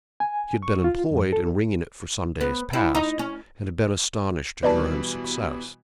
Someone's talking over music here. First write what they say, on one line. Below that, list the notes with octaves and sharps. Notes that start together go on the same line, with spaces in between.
She had been employed in wringing it for some days past, and had been astonished at her own success.
G#5
C#6
F4
F2
A4
B3
E4
D#4
C#4
B2 E3 G3 B4 D5 A5